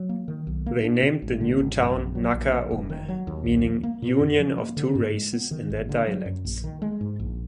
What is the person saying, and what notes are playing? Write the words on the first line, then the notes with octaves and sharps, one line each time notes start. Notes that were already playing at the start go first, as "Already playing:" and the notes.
They named the new town "Naca-Ome", meaning "union of two races" in their dialects.
Already playing: F#3
A#3
D#3
B1
A#3
D4
B2
G#1
D3
G#1
F#2
A#1
F#3
A#1
A#2
F1
D#3
F#3
D#2
B1
F3
A#3
A#2
F2
F3
A#3
D3
G#2
G#3
B3
D#3
G#1
D3
F#3
F#2
A#1
D#3
G#3
G#2
A#1